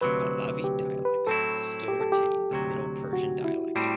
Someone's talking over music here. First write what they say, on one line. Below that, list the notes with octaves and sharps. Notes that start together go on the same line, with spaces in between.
Pahlavi dialects still retain the Middle Persian dialect.
D2 C3 F#3 B4
G4
B4
A2 F#3 C4 E4 A4
G4
A4
G4
D2 C3 F#3
F#4
E4
A2 G3 C4